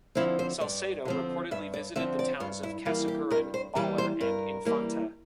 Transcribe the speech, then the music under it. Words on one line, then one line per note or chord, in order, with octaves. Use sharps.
Salcedo reportedly visited the towns of Casiguran, Baler and Infanta.
D3 F3 C4 E4
C5
G2 D5
D3 F3 C4
G2 E5
D5
D3 F3 C4 E5
D5
G2 F4
E4
E3 G3 A#3 F4
G4
G2 A#4
C5
E3 G3 A#3 D5
C5
G2 A#4
E3 G3 A#3